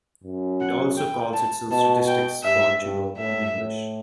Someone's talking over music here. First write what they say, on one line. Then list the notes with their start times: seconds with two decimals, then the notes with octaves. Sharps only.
It also calls itself Statistics Portugal in English.
0.24 F#2
0.61 F#5
0.97 G5
1.34 A5
1.70 B2 A5
2.07 G5
2.44 G2 E5
2.81 G2
3.18 A2 E5
3.54 A2